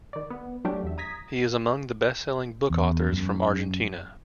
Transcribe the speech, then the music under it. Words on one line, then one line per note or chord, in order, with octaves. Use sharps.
He is among the best selling book authors from Argentina.
D#3 D5
B3
F#3 A3 C#4 D4 G4
E2 E5
A#5 D#6 G#6 A#6 B6
E2
F#2